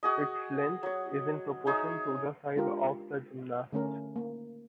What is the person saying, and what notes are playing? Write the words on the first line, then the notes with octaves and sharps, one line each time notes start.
Its length is in proportion to the size of the gymnast.
F#4 G#4 D#5
F#3 C#5
D#4 G#4 C#5 E5
G#3 D4 F4 G4 A#4
D3 A3 C#4 A#4
A#3